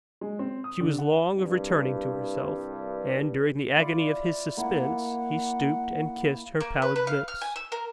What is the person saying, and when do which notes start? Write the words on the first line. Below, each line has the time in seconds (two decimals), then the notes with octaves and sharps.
She was long of returning to herself; and, during the agony of his suspense, he stooped and kissed her pallid lips.
0.21 G#3
0.39 C4
0.64 D#6
0.81 D3
0.98 F#5
1.36 C2 G2
3.76 E4 F4 D5
4.57 A#3 E4 F#5
6.60 A#3
6.82 B4
6.96 B4
7.07 F5
7.28 F6
7.41 G#5
7.56 E6
7.72 A#4